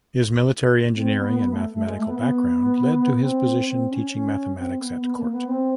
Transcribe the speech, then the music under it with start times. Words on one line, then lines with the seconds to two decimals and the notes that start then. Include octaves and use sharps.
His military engineering and mathematical background led to his position teaching mathematics at court.
0.95 C4
1.17 B3
1.39 B3
1.51 A3
1.73 A3
1.85 G#3
1.96 A3
2.07 B3
2.19 B3
3.20 C4
3.66 C4
3.89 C#4
4.11 C#4
4.56 C4
4.78 B3
5.01 B3
5.16 A#3
5.31 B3
5.47 C4